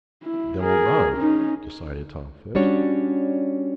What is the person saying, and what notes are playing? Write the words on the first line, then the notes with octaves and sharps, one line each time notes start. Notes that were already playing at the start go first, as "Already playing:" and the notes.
"Then we'll run," decided Tom Phipps.
E4
G#4 A#4
C#4 D#4
G3 C#4 D4 F#4 C#5